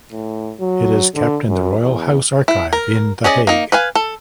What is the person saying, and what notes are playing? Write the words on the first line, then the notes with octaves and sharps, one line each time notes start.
It is kept in the Royal House Archive in The Hague.
A2
F#3
D3
F#2
E2
E4
A#4
C#4 G#4 D5 D#5
A#3 D#4
B4 F5 G#5
A4